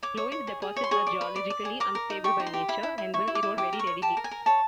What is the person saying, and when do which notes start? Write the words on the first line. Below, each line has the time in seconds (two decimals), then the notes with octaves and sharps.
Loess deposits are geologically unstable by nature, and will erode very readily.
0.03 C#5 D6
0.17 C#5
0.32 C#5
0.47 G#4
0.62 G#4
0.77 C#5
0.84 C6
0.91 G#4 C#6
1.07 D5
1.21 B4
1.36 D5
1.50 D5
1.65 G#4
1.80 A#4 D6
1.95 A#4
2.10 D#4
2.24 G4 C#6
2.40 D#4
2.47 C6
2.54 G4
2.68 E4 B5
2.83 E4
2.98 E4
3.14 E4 C#6
3.27 E4
3.35 D6
3.43 E4
3.58 G4 D6
3.73 A#4
3.79 C#6
3.87 C#5
4.02 G4 A5
4.17 A#4
4.24 G#5
4.31 A#4
4.46 C#5 A5